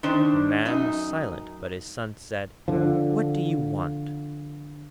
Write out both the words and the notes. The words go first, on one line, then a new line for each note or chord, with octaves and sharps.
The man was silent, but his son said, 'What do you want?'
D#3 D4 C5
F#2 D#4
D3 F3